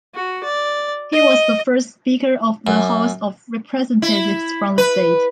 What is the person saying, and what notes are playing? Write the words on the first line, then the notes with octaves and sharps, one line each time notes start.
He was the first Speaker of the House of Representatives from the state.
F#4
D5
D#5
F#2
E4
B4